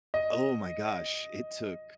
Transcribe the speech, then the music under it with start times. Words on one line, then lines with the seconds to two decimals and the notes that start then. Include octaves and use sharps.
Oh my gosh. It took
0.14 D#5